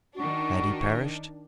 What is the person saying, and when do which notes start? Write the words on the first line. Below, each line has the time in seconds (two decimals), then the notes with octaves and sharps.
Had he perished?
0.16 D#3 D4 F#4